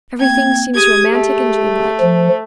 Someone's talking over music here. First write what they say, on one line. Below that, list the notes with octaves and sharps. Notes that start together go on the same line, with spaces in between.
Everything seems romantic and dreamlike.
A#3 C4 G5 G#6
G4 G#4 D#6 G#6
A3
F3